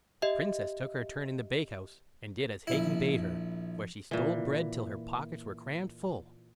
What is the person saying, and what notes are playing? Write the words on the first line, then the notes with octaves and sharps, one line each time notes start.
The Princess took her turn in the bakehouse, and did as Hacon bade her, for she stole bread till her pockets were crammed full.
G4 D#5 E5
A#1 E4
A#2 E3